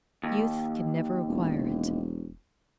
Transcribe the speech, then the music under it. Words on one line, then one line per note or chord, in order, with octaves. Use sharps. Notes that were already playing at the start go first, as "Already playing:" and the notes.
Youth can never acquire it.
D#2
E1